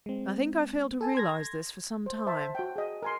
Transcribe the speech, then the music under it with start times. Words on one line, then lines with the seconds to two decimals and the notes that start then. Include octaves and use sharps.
I think I failed to realize this for some time.
0.06 G#3 C4
1.01 A4 G#5 A5
1.15 C6 G#6 A#6
2.06 C5
2.27 C5 E5 A5
2.55 F#4 G5
2.76 G#4 D#5
3.03 A#4 G#5 C6